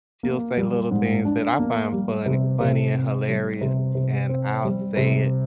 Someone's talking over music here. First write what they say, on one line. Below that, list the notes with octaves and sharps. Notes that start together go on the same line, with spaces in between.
she'll say little things that I find funny funny and hilarious, and I'll say it
A#3
G3
G#2
D4
A#3
G3
C3
C3
C4
G3
C3
C3
C4
G3
C3